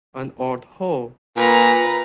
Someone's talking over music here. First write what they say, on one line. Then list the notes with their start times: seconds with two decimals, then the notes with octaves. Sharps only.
An art hole.
1.37 A#2 B4 A#5